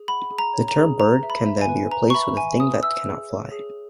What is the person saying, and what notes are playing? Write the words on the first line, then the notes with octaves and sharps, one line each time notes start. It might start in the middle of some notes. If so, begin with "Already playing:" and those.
The term 'bird' can then be replaced with a thing that cannot fly.
Already playing: G#4
F#5 B5
G#4
A#5
C#5
A#5
G#4
B4 A#5
E5
B5
E5
G#5
B4
B4 A#5
C#6
E5 B5
E5 G#5
B4 D#6
E5 E6
G#4
C#5
G#4